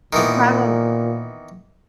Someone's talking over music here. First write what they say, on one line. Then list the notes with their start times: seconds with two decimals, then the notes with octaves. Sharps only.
The problem
0.13 A#2 D#3 E3 B3